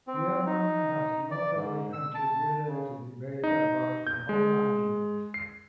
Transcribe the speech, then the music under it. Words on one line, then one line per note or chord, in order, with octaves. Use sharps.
Earman has notably contributed to debate about the "hole argument".
C4
D#4
D5
G#2
E6
A5
C#3
D#4
G6
G#3
C7